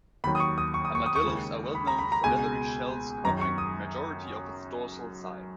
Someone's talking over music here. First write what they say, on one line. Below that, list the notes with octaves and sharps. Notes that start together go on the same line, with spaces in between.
Armadillos are well known for leathery shells covering the majority of its dorsal side.
D#2 D#3 F#3 B5
D#6
C#6
D#6
C#6
D#6
C#6
D#6
C#6
D#2 C#3 G#3
B5
A#5
B5
A#5
C#2 B2 G#3 G#5
F#2 D#3 F#3 A#5
C#6
D#6